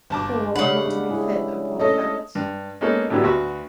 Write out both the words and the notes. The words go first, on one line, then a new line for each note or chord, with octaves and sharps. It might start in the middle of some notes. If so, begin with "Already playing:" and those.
The poor are not to be fed upon facts.
G1 A5 D6
C#3 G3 G#3 D4 F#5 B5
D4
E4 G#4
A3 C#4 A4 D#5
G2
G#3 A#3 B3 C#4 D#4 A4
A2 D3 F#3 G3 B3
D2 F#4 B4